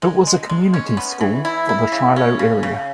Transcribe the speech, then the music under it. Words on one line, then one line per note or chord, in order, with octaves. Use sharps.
It was a community school for the Shiloh area.
G#3
G#3
G#3
C#4
B3
E3
E4
E4
C#3
C#4
C#3
C#3